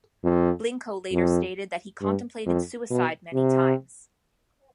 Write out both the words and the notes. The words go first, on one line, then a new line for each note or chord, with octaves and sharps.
Blincoe later stated that he contemplated suicide many times.
F2
F2
G2
F2
B2
C3